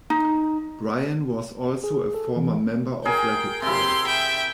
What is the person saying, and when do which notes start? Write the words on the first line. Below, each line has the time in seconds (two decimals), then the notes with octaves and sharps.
Brian was also a former member of Racketball.
0.10 D#4
1.84 G#4
2.15 A4
2.36 E3
3.05 G#4 A#4 G5 G#5
3.62 C3 E4 G4 C6
4.06 E5 G5